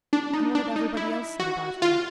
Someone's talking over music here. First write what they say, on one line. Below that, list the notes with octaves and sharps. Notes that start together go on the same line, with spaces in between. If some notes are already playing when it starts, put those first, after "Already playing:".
And what had everybody else said about her?
D4
D#4
D4
D#4
E4
F#4
F4